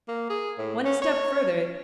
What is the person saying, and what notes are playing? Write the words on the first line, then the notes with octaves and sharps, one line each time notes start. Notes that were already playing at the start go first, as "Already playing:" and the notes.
'One step further....
A#3
G#4
A2
C#4
C#5